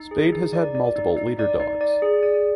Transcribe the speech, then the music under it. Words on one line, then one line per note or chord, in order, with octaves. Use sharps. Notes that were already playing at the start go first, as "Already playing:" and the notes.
Spade has had multiple Leader Dogs.
Already playing: D#4
G#4
D#4
D5
D5
D#4
D#4
D5
D#4
D5
G#4
D5